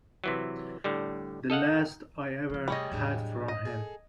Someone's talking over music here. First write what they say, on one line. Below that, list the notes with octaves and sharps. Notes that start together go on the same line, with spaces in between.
The last I ever had from him.
C3 E3 F#3
A2 D3 G3
A4 D#5 F5 F#5
F3 C#4
C3 G3 A3 G#4 C#5 D#5
E2 A2 F#3 G#3 D4
D#5
G#4 A4